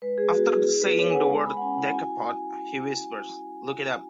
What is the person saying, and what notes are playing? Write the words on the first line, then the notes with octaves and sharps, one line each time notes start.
After saying the word Decapod, he whispers "look it up".
G#3 B4
G#3 G#4
B3 F#4
E4 G#4
E4 G#4
B3 B4
E4 C#5
G#5
B3 F#5
G#3 G#5
G#3 B5
F#5
C#4 G#5
E4 F#5
F#4 G#5